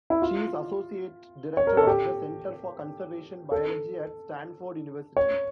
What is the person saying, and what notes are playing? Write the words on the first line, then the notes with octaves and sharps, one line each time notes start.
She is associate director of the Center for Conservation Biology at Stanford University.
E4
F4
C#5
A#4
A4
G4
A4
C#5